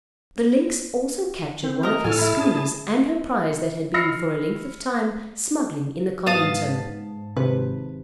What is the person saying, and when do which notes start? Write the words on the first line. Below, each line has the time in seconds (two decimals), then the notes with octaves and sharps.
The Lynx also captured one of his schooners, and her prize that had been for a length of time smuggling in the Carmento.
1.63 C4
1.83 A#4 D#5
2.04 A2 A4 C#5 G#5 F6
2.19 E4 B5
2.35 G#4 A5
3.94 B5 E6 F6 A#6 C7 C#7
6.26 G#2 B3 F5 A5 D#6
7.37 G#1 C3 B4